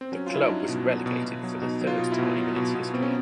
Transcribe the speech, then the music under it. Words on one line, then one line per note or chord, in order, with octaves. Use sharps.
The club was relegated for the third time in its history.
C4
F#3 C#4
F4
F#3 E4
D#4
F#3 D4
B2
F#3
B2
B2
F#3
B2 D#4
F#3
F4
B2
E4
B2
F#3
B2
B2
B2 C4
C#4